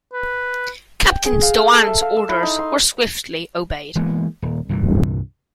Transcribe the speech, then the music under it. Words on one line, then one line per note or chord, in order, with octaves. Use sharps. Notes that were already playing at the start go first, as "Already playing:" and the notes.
Captain Doane's orders were swiftly obeyed.
B4
G5
G#4
F5
F5
A4
E5
F5
E6
E4
D#4
C6
E3 G#3 A#3 B3
D#1
C2 G2 A#2 E3